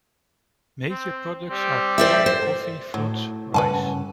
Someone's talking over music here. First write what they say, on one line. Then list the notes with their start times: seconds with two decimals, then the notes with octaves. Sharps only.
Major products are corn, coffee, fruits, rice.
0.89 C4
1.49 G3 C4 G4
1.98 C5 D5 E5
2.26 C5
2.94 A2 F#3
3.54 G2 C#3 C#4 B4 F#5 G#5 A5